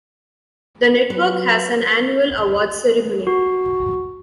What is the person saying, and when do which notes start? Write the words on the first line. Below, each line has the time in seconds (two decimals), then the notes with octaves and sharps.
The network has an annual awards ceremony.
1.10 F#3 B4
3.27 F#4